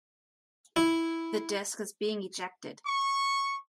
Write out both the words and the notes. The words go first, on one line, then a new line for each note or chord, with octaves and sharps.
The disk is being ejected.
E4
C#6